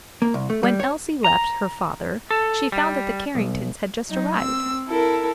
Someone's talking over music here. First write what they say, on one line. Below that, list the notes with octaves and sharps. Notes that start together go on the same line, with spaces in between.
When Elsie left her father she found that the Carringtons had just arrived.
A#3
C2
A3
G3
C#5
A#5
A4
G3
B1
F#3 D#4
C4 E6
E4 A4 A#4